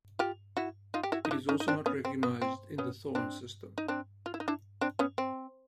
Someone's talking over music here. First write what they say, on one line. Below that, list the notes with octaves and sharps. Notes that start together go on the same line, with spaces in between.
It also is not recognized in the Thorne system.
F4 G4
E4 F#4
D#4 F4
G4
E4 F#4
D#4
D4 E4
C#4 D#4
D#4
C4 D4
B3 C#4
C4
B3
C4
B3 C#4
C4 D4
D#4
C4 D4
F4
E4
D#4
D4 E4
C4 D4
B3 C#4
C4